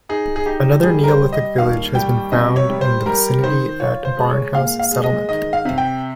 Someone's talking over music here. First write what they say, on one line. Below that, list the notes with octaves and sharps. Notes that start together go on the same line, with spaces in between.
Another Neolithic village has been found in the vicinity at Barnhouse Settlement.
D#4 G#4
G#4
D#4 G4
G3 G#4
A#4
C5
G3
D#5
D#2 F5
G3 G5
C3 D#5
C#5
G3
C5
G3 A#4
D#3 C5
F4 C#5
C5
G#3
C#5
A#2 F5
F5
G#3
D#5
D#3 D#5
F5
C3
G5